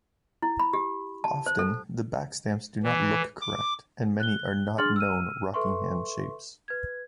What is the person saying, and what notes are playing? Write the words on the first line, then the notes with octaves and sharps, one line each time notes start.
Often the backstamps do not look correct, and many are not known Rockingham shapes.
E4
B5
G4
A5
C5
A4
E3
D6
F#6 G7
D4 G#4 C6 F6 A6 F#7
E6 F6 D#7
A4 B4 E5 C6 C#6
B4 G#6